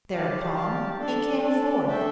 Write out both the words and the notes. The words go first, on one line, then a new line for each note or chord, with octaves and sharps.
Thereupon he came forth.
G4 D5 F5 A5
G4 D5 F5 A5
D4 A4 D5
D4 A4 D5
A3 D4 A4 E5 G5